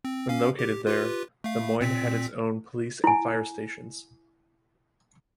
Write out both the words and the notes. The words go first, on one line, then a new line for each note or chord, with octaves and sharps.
When located there, LeMoyne had its own police and fire stations.
C4
C#4 F5
G4
F4 G4 B4
A3 F5
A#2 C4 B6
E4 G#5